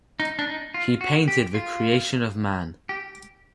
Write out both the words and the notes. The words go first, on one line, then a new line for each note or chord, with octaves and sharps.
He painted the Creation of Man.
D#4
D4
D#4
F4
F#4
G4
F4
G4